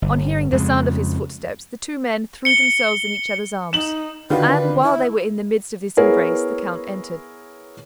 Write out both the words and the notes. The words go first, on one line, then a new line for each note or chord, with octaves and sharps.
On hearing the sound of his footsteps, the two men threw themselves in each other's arms, and while they were in the midst of this embrace, the count entered.
G1
F2 C#3 G#3
C#7 G7
D#4 E7 F#7
D3 D#3 D4 F4 F#4 B4
E4
B3 E4 G#4 A#4 C#5